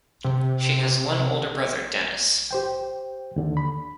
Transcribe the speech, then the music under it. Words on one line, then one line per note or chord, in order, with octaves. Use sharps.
She has one older brother, Dennis.
C3
G4 C5 G5
D#2 D3
B5